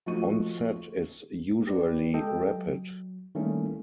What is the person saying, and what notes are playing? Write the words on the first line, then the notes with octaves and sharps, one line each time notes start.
Onset is usually rapid.
F3 A3 F#4 D#5 C#6 D#7
G4 B4 D5
G#3 G4 A4 D#5 G5
F#3
D#3 G3 A3 A#3 C#4 E4